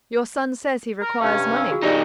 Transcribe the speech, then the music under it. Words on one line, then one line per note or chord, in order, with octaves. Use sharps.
"Your son says he requires money."
A#4
G2 C3 C#4 F5
D4 F5 E6
F4 F#4 G#4
C#2 D4 D#4 G4 D5